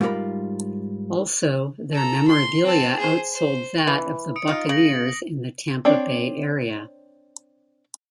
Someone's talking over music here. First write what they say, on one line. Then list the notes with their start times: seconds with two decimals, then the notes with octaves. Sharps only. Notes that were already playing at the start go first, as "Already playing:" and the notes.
Also, their memorabilia outsold that of the Buccaneers in the Tampa Bay area.
0.01 G#2 G3 F4 F#4 A#4 B5
1.93 A4 A#5
2.28 C6
2.63 C4 A5
2.97 G#4 C5
3.32 C5
3.87 E3
4.36 D#6 C#7 D7
4.48 D#4 F4
4.69 C#3 A#6 F#7
5.85 C4 D4 C#5 D5